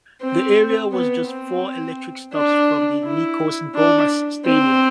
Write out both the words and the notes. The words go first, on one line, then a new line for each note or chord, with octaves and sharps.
The area was just four electric stops from the Nikos Goumas Stadium.
C4
B3
C4
D4
E4
D4
C4